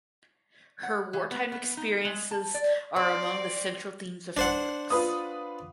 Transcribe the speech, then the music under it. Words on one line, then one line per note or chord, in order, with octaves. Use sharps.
Her wartime experiences are among the central themes of her works.
F#5
E3
B3
B3
D#4
G#3
A5
D5
C4 D5
D4 C5 F#5
F4 B4 D#6